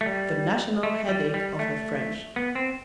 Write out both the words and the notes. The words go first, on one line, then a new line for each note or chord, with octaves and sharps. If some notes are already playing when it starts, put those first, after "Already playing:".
The national headache of the French.
A3
G3
A3
G3
G3
A3
B3
C4